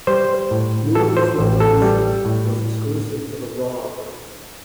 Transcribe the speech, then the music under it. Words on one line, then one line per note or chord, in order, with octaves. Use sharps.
New Year's Revolution was exclusive to the Raw brand.
G3 C5
A2
E3 A4
C5
A1
A4
G3
A2